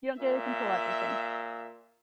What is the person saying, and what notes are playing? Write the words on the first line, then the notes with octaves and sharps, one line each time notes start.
you don't get to control everything.
A#2 E5